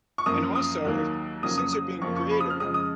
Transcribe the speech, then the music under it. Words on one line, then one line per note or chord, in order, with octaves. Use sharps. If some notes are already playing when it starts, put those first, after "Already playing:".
and also if since you're being creative,
C#6
F#2 F3 A#3 D#6
D#6
D#2 D#3 F#3 A#3
F2 C#3 F#3 A#3 D#6
D#6
D#6
F2 C#3 F3 A#3 C#6
C#6
B5
D#6
F6
F2 C#3 G#3 D#6
D#6